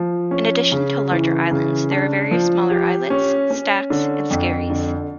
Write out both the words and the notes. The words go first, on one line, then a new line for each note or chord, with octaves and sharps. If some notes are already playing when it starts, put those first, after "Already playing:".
In addition to the larger islands thare are various smaller islets, stacks and skerries.
Already playing: F3
C#4
C#3
E3
C#3
D4
F3
G4
C#4
C#4
D3
F2
D3